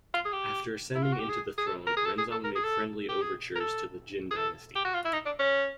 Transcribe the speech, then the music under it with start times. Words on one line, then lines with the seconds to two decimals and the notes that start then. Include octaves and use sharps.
After ascending into the throne, Renzong made friendly overtures to the Jin Dynasty.
0.14 F4
0.25 G#4
0.33 G4
0.95 E4
1.03 F4
1.13 F#4
1.20 G4
1.29 G#4
1.58 G#4
1.67 A4
1.87 A#4
1.97 G#4
2.05 A4
2.18 G#4
2.31 A4
2.44 A#4
2.55 G#4
2.64 A4
3.09 G4
3.21 G#4
3.55 A#4
3.60 A4
4.31 G#4
4.37 A4
4.75 G4
4.85 F#4
4.94 F4
5.05 E4
5.13 D#4
5.26 D4
5.39 C#4